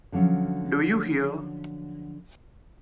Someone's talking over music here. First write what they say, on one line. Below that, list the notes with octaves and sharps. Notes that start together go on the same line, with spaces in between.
Do you hear?
D3 F3 F#3 C#4